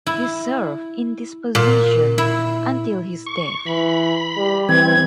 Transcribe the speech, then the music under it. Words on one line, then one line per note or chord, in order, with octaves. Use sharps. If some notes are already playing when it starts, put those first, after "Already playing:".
He served in this position until his death.
E4
A#2
E4
C#6
E3 B5
G3
E3 C4 G#6